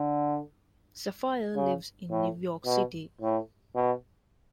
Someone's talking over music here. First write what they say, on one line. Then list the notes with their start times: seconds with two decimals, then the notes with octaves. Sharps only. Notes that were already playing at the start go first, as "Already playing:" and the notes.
Sapphire lives in New York City.
Already playing: D3
1.56 C#3
2.11 A2
2.66 B2
3.21 A2
3.75 B2